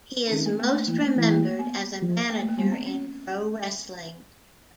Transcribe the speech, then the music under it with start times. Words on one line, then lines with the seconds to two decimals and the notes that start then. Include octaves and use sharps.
He is most remembered as a manager in pro wrestling.
0.28 C#4
0.31 D#3 C4
0.46 A3
0.59 A#3
0.74 A3
0.88 E3 A#3
1.02 A3
1.16 E3 A3
1.31 A#3
1.45 A#3
1.59 B3
2.02 F3
2.30 A#3
2.39 A3
2.48 A#3
2.58 G3 B3
2.72 C4
2.86 C#4